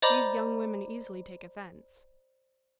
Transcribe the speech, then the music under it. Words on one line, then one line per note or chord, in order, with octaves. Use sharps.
These young women easily take offense.
C5 D5 D#5 A#5 B5 D6